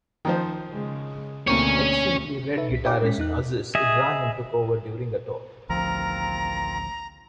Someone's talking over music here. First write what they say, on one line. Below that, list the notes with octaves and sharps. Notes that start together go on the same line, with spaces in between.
Ex-Simply Red guitarist Aziz Ibrahim took over during the tour.
D#3 F3 C5
C#3 G#3
D2 B2 A#3 C4 C#4 C#5
D#4 A4 B4 E5
C2 B6
D#4 G4 C#5 E5 G5 D6
G#3 C#4 B6
E2 D#4 F#6
G#4 D#5 E5
A1 D2 F3 C4 F4 A#4 A#5